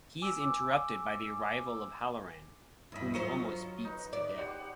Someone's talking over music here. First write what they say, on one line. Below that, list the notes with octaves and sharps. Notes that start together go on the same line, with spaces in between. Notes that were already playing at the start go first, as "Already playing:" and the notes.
He is interrupted by the arrival of Hallorann, whom he almost beats to death.
G#5 D6 E6
E2 G2 E4 D#5 B5
F#3 F4 C5 D#5 A#5 C#6
D#4 B4
D5
G3 C5 F#5